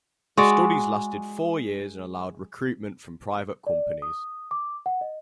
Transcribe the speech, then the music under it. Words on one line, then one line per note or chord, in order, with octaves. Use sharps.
The studies lasted four years and allowed recruitment from private companies.
G#3 F#4 D5
D5
D#6
D6
F#5
D#5